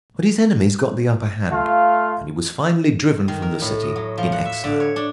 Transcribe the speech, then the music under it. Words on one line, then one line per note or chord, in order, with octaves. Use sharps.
But his enemies got the upper hand, and he was finally driven from the city in exile.
A3 F4 F5
D#3
A#4
A2
D#5
F#3
F3
F#5
E5
D3
C#5
D4